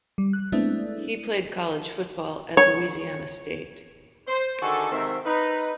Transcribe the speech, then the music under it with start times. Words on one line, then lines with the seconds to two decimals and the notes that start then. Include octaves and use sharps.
He played college football at Louisiana State.
0.18 G3
0.33 F#6
0.52 G#3 A3 B3 C4 D4 E4
2.57 C#5
4.28 C5
4.62 D3 D#3 F#4 G#4 A4
4.92 G#2 C3 D#3 C4 E5
5.25 D#4 B4